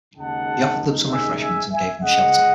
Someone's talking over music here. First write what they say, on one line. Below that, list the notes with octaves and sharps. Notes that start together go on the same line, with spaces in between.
He offered them some refreshments and gave them shelter.
D#2 C#3 G#3 D#4 F#5 A5
E5 G#5
E5 G#5
E5 G#5
C#2 C#3 G#3 D#5 F#5